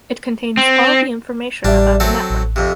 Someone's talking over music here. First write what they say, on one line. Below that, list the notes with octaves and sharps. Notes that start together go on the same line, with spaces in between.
It contains all the information about the network.
C4
A1 G3 D4 E5
F#3 C4 A4
A1
F2 C3